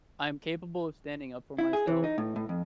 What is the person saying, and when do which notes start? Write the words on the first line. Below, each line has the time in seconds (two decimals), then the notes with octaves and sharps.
I'm capable of standing up for myself
1.59 E4
1.73 G#4
1.87 E3
2.04 D#4
2.18 A2
2.36 A2
2.49 F2